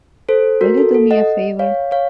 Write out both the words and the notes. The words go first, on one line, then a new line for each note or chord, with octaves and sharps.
Will you do me a favour?
A4 C5
F#4 A#4
A4
A4
D#5 F#5
C#5 F5
C#5 F5